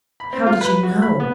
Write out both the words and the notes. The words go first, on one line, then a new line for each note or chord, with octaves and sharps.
"How did you know?"
B5
C4
F4
B4
F#4
B5
B3